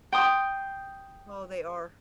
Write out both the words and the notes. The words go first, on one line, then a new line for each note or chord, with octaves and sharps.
Oh, they are.
G5 C6 D#6